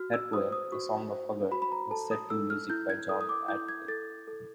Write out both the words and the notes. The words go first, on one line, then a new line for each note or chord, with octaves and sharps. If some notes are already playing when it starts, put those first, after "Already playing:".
Her poem "The Song of Hagar" was set to music by John Antill.
Already playing: F#4 F6
E6
C5 D#6
D#6
F#4 C#6
C5
F#4 B5
B5
A#5
A4 A5
D#6
A4 E6
F6
E4 G6
G#6
A4 D#6
D#6
D6
E4 G6
G#6
A4 A6
A4